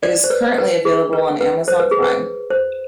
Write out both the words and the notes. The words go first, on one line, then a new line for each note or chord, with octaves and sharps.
It is currently available on Amazon Prime.
D5
C5
B4
B4
G#4
B4
B4
C5
B4
G#4
B4
C5